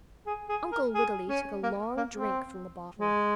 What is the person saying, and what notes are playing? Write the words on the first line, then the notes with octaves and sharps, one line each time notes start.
Uncle Wiggily took a long drink from the bottle.
G#4
G#4
A#4
G#4
C#4
A#3
A#3
C4
G#3